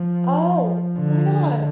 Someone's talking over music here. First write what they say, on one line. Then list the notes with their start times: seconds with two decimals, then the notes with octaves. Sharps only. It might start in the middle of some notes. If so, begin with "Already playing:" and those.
Oh! Why not?
Already playing: F3
0.99 D3